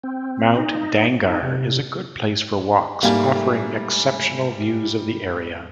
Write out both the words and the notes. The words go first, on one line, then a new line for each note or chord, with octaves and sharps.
Mount Dangar is a good place for walks, offering exceptional views of the area.
C4
D#4
D#4
C3
G#2 G3 A3 A#3 G4 F5 G#5